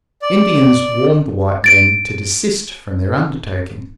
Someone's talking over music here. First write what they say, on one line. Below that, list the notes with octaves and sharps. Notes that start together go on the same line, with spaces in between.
Indians warned the white men to desist from their undertaking.
D5
A6 D7